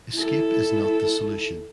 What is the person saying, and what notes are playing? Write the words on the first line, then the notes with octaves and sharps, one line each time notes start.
Escape is not the solution.
E4 A4